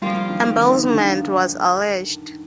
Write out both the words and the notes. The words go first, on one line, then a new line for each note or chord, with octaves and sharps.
Embezzlement was alleged.
F3 G3 A#3 F4
D#3
D#3
D3